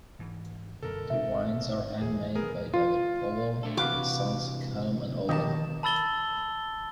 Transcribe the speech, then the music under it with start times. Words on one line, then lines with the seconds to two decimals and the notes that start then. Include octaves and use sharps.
The wines are handmade by David Powell and his sons Callum and Owen.
0.19 G#2 E3
0.83 F#2 B2 D3 A4 A#4
1.10 G#1 C4 E5
2.02 D#2 E3 F#3 G#4
2.35 B3 G#4 A#4
2.74 F4
3.63 A3 D4 A4
3.77 C3 E3 F#4 B4 F5 D6
5.29 B2 D#3 G4 D#5 E5 A5
5.83 A5 B5 E6 A6 G7